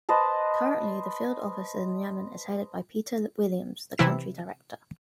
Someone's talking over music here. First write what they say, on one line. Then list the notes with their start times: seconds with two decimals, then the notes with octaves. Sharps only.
Currently the field office in Yemen is headed by Peter Williams, the country director.
0.09 B4 C5 D#5 A5
3.98 C3 E3 E4 B6 E7